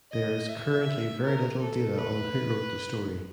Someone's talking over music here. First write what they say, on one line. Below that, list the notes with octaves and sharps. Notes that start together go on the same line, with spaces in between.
There is currently very little data on who wrote the story.
D#5
E5
A#4
A4
B4